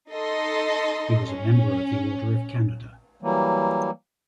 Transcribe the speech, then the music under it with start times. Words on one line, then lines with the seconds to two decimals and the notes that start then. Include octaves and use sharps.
He was a Member of the Order of Canada.
0.11 D#4 A4 D#5 C6
1.24 C#4
3.22 E3 F#3 G3 A#3